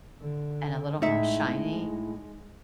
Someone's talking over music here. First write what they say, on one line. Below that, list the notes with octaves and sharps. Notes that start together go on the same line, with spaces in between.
and a little more shiny,
D3
A2 G#3 A3 D#4 E5